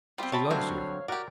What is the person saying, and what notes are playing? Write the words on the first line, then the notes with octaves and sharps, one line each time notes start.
She loves you.
G3 C4 F4 G4
C#5 A5 B5
D3 F#3 G3 A3 C4 C#5 F5
F#4 G4 A#4 D5